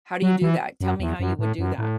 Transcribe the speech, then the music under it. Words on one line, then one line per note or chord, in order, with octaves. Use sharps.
How do you do that? Tell me how you would do that.
F#3
E3
F#2
E2
F#2
A2
F#2
A2